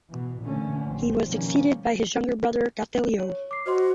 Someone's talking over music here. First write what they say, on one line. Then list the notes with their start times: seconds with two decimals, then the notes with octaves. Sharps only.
He was succeeded by his younger brother Gothelo.
0.10 B2 E3
0.40 A#2 D3 E3 A3 C#4
0.85 A1 F3 C4
1.25 B2 D#3 F3 G3 A#3 C#4
3.20 C#5
3.51 D6 C7
3.66 F#4 C5 D#5 C6